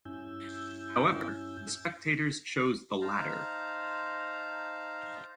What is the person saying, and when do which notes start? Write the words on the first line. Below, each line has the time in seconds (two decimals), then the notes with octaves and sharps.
However, the spectators chose the latter.
0.05 G2 C#4 E4 G#5 E6 G6
3.01 D#4 C5 F5 A5 A#5